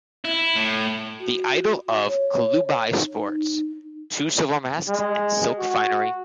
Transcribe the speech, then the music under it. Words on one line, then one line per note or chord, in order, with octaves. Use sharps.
The idol of Kalubai sports two silver masks and silk finery.
E4
A2
F#4
C#5
D#4
G#3
F#4